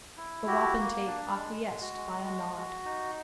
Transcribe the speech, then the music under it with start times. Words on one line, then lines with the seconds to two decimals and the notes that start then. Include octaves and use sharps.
The wapentake acquiesced by a nod.
0.17 E4
0.47 F#4 G4
0.77 A#3
1.07 D4
1.36 G#3
1.67 G#3
1.81 F#4
1.96 G#3
2.25 F#4
2.56 F#4
2.85 D#4